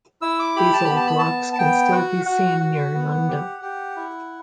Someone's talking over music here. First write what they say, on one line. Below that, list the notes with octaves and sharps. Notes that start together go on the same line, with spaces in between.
These old locks can still be seen near Nunda.
E4 E6
D6
G4 B5
A5
B5
B3
A5
B5
A5
B3
A5
B3 G5
F#4 F#5
F#4 F#5
F#4
B3
G4
G4
E4